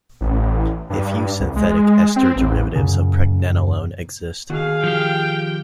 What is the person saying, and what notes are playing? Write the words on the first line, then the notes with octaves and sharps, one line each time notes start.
A few synthetic ester derivatives of pregnenolone exist.
A1
G2
C2
G#3
C4
A1
F#2 A#2 C#3
D#2 D#3 F#4 G#4 F5
F3 G4 G5